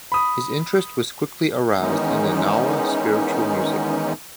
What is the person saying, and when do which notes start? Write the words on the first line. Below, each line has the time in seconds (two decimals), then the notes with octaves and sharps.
His interest was quickly aroused in the Gnawa Spiritual Music.
0.12 B5 D#6
1.78 D#3 E3 G#3 B3 C#4 D#4